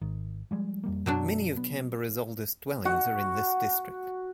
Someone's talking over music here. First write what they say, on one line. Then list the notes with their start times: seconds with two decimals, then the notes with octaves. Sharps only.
Many of Canberra's oldest dwellings are in this district.
0.02 G#1 D#3
0.51 F3 G3 G#3
0.84 F2 G3 A#3
1.06 F#2 B2 F#3 D4
1.57 B3
2.85 F#4